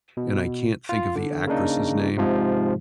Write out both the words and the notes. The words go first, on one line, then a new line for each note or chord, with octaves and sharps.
and I can't think of the actress' name
B2
F4
D3
C#3 A#3 D4 D#4
G#2 C3 F3 G#3